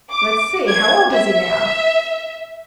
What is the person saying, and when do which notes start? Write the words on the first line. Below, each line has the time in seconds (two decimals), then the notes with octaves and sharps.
"Let's see--how old is he now?"
0.11 D6
0.68 G#6
1.12 E5